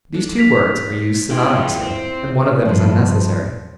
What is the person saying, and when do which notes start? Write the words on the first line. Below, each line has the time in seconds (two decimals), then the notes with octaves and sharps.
These two words are used synonymously, and one of them is unnecessary.
0.14 D4 A4 D5
0.38 B6 F7
1.31 G#3 E4 F4 G4 G#4
1.79 C4
2.65 G2 F3